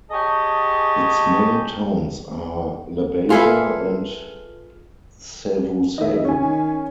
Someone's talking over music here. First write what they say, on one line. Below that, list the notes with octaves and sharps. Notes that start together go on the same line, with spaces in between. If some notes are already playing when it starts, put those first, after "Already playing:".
Its main towns are Labasa and Savusavu.
G4 G#4 C#5 D#5 A5
F4 G#4 A4 B4 E5
D#3 D#5 E5
C#4 G#5
D#3